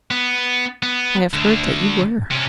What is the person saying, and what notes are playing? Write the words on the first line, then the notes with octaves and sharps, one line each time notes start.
I have heard that you were.
B3
B3
D2 D3
C3 C#4